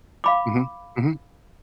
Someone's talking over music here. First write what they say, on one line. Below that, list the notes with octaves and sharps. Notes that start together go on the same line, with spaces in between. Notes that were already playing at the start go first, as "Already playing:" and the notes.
Mhm, mhm.
F5 B5 D6